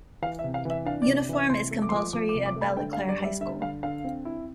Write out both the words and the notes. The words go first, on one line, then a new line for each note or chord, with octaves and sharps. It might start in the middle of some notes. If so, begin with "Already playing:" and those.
Uniform is compulsory at Ballyclare High School.
E3 F5
E5
C3
F5
E3 E5
D4 F5
D5
C3
D5
E3 E5
C3 C6
A3
D6
C6
F3 D6
F3 D6
D6
C3
D6
A3
B5
D3 G5
F5
G3
D5
G3 D5
E5
D3 E5
D3 F5
D3 F5
C4
E4